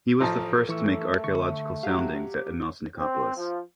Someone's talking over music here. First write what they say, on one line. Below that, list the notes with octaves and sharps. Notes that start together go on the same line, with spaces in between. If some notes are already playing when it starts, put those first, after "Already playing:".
He was the first to make archaeological soundings at Emmaus-Nicopolis.
A1 F3 A4 C5 A5 A#5 D#6
E3 A3 C#6 E6
D3 C#6
F#3 G4 F5
C4
F3